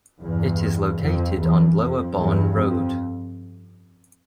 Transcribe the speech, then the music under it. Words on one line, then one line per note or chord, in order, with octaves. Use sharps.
It is located on Lower Barn Road.
E2 G2
F2
E2
F2
E2 G2
F2